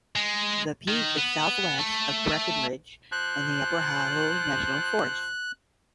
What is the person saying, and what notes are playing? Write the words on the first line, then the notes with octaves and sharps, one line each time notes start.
The peak is southwest of Breckenridge in the Arapaho National Forest.
G#3
D#3
B3
A3
F3 F#6